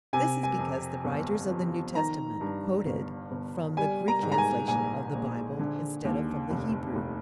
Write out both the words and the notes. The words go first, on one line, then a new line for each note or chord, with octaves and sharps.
This is because the writers of the New Testament quoted from the Greek translation of the Bible instead of from the Hebrew.
C3 G#5
G#5
F2
G1
F3
D#3 A#5
G2
G1
G1
G3 G#5
A#5
G#2
A#5
G#5
A#1 G#5
A#1
D3
D#2
F1
F1